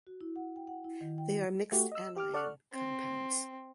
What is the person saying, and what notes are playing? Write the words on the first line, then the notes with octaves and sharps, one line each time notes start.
They are mixed anion compounds.
F#4
E4
F#5
G5
F#5
E4
D#3
G5
F#4
A3 F#4 G4
D#5 E6
G4 D6 F6
A4 D5 F#5 C#6 F6 F#6
C4